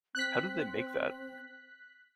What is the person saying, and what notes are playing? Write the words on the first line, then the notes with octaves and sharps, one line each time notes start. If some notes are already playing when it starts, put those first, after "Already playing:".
How did they make that?
C4 F#6 B6